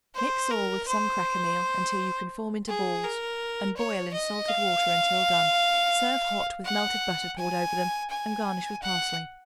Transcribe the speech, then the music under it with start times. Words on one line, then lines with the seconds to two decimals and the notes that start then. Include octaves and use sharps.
Mix all with some cracker-meal until you can form into balls and boil in salted water until done. Serve hot with melted butter poured over them, and garnish with parsley.
0.15 C5
0.51 A#4
0.87 C5
2.68 G#4
3.04 A#4
3.77 C#5
4.13 D#5
4.49 F5
6.65 F#5
7.38 G#5
8.10 G#5
8.82 F#5